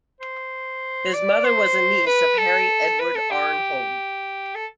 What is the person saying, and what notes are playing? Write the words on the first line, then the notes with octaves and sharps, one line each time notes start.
His mother was a niece of Harry Edward Arnhold.
C5
D5
C5
B4
A4
B4
A4
G4
A4